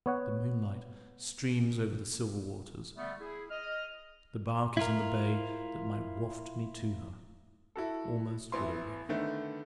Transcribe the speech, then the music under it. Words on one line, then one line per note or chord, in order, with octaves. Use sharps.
The moonlight streams over the silver waters: the bark is in the bay that might waft me to her, almost with a wish.
B3 C#5 F#5
D3 G3 A3 B3
E4 G#4
D#5 F6
E4 F4 A#4
E4 F#4 A4
A1 B3 E4 C6
D3 D#3 A3 B3